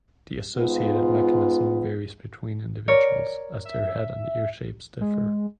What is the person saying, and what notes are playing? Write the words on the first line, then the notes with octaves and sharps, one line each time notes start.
The associated mechanism varies between individuals, as their head and ear shapes differ.
G#2 B3 F4
A#4 C#5 D5
E5
G#3